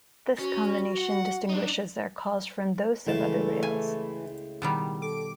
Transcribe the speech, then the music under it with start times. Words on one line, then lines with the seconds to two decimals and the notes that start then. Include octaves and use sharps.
This combination distinguishes their calls from those of other whales.
0.38 C#4 F#4
0.97 F#5
1.49 D4 D#4
3.07 C#2 A2 E3 A3 A5
3.63 G#5
4.62 B2 D#3 G3
5.02 A4 D6